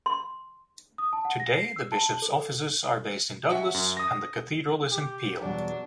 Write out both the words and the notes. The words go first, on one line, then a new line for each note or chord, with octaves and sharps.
Today, the bishop's offices are based in Douglas and the cathedral is in Peel.
C6
D#6
A5
F#5
A#6
C7
E6
A5
A4
C#4 F#4 E5
F#2
D#6 A#6
G4
E2 B2 F#3 G3 D4